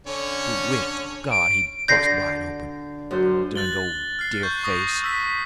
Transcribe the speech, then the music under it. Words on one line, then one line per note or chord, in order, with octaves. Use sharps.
I do wish to God he'd bust wide open, the durned old deer-face!
D3 C#4 C#5
D7
D3 A4 G6 A#6 C7
F#2 C5 G6
F#6 A6 F#7 G7
F6 C7
C#6 F#6 G6
C#6 D#6 A#6
D#7
E6 B6